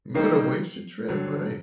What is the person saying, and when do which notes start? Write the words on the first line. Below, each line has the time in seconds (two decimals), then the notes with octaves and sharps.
What a wasted trip, right.
0.14 D#3 G3 A#3 D#4 C7
1.08 G2 D3 F#3